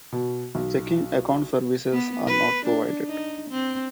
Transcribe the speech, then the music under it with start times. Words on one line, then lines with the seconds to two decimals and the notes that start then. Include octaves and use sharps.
Checking account services are not provided.
0.12 B2
0.55 B1
1.92 B3
2.27 B4
2.65 D4
3.06 D#4
3.49 C4